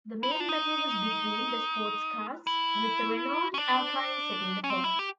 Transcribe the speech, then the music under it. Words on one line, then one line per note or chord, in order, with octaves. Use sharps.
The main battle was between the sportscars, with a Renault Alpine setting the pole.
E4
D#4
D4
D#4
E4
C#4
D4
C#4
C4
E4
G4